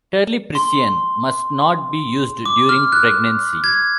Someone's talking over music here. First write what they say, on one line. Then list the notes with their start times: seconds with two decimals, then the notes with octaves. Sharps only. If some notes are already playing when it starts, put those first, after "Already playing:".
Terlipressin must not be used during pregnancy.
0.55 C6
2.45 D6
2.69 F6
2.92 F#6
3.64 G#6